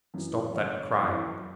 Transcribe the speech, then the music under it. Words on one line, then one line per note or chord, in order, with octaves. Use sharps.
'Stop that crying.
F#2 E3
F#1 C#5
F#2 E3